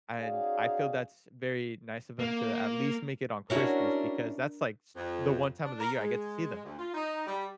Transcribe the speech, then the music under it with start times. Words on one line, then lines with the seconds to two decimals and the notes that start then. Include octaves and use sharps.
and, I feel that's very nice of 'em to at least make it on Christmas, because that's like s the one time of the year I get to see them.
0.20 C#4 D#4 F#4 G#4 D5 F5
2.19 A#3
3.50 C#4 D4 E4 F#4 A#4
4.96 F2
5.64 D4
5.80 A#4
5.99 G#3
6.65 D2
6.79 F4
6.94 D#4
7.27 G3